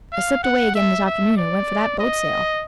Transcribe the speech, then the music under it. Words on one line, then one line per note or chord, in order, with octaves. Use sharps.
I slipped away again this afternoon and went for that boat sail.
F5
F#5
E5
E5
D5
D#5